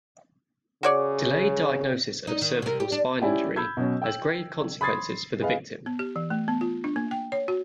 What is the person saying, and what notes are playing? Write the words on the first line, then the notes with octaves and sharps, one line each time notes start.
Delayed diagnosis of cervical spine injury has grave consequences for the victim.
C#3 F#4 C#5 D5
D#4
D#3
C3 A#4
G4
D4
C#4 E4 G4 D5 G5 G#5
B5 E6 G6 G#6
B2 F#3 C#4
G5 E6 F#7
B5 C6 D#6 G#6 A6 C7
G#4 B4 D#5 F5
B3
G4
E3
A3
B3
F4
D4
A#3
G5
C#5
F#4